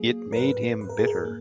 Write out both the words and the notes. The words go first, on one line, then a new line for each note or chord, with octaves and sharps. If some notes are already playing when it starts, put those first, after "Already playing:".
It made him bitter.
Already playing: F#3 A#3 G#4
A#4
G#2 B4
G#2 B4
A#4
G#4
A#4
A#3